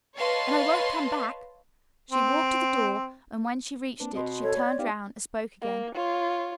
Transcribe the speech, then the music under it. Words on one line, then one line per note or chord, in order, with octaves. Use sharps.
"And I won't come back!" She walked to the door and when she reached it she turned round and spoke again.
B4 C#5 D#5 F5 A5 C6
C4
A#3 C4 D4 B4
B2 C4 D#5 C6
A4 C#5
D5
B3 D#4 G4 F5
A#3
F4 C#5